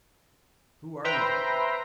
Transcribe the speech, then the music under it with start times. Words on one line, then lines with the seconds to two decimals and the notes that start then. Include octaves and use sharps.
"Who are you?"
1.04 B4 C5 E5 G5 A#5 C6